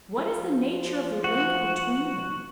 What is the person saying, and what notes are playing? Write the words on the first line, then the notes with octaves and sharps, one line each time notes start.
What is the nature of the link between them?
F3
F#4